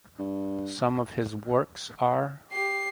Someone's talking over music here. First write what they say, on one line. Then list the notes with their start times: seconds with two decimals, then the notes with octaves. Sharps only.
Some of his works are.
0.19 G2
2.52 G4 C7